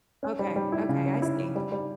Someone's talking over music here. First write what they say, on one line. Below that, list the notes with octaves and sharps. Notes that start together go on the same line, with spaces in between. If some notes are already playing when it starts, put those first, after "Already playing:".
Okay. Okay, I see.
C#4
G3
G3
E4
C#3
C#4
E4
C#4
G3
G3